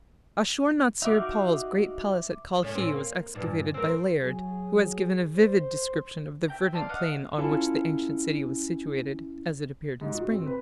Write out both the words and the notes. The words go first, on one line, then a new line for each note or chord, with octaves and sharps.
Ashur-natsir-pal's great palace at Kalkhi was excavated by Layard, who has given a vivid description of the verdant plain on which the ancient city was situated, as it appeared in spring.
D#4 F#4 E5 F5 D6
A2 C#4
C4 C#4
A#3
G2 A#2
C4 A#4
F#3 G#4
C5
E5 G5 A#5
D5 F5 A5 C6
D#5 F5 F#5 D#6
C#4 E4 F4 A4 A5
G#2
F#4
C4
B4